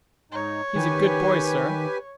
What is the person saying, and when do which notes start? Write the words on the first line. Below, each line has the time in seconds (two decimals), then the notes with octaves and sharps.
"He's a good boy, sir."
0.32 G#2 D#4 C#5
0.76 D#3 G4 B4 G#5